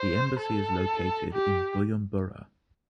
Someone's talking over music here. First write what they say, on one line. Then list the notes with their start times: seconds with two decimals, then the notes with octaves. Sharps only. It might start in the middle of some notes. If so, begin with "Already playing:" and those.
The Embassy is located in Bujumbura.
Already playing: C5
0.39 A4
1.33 G4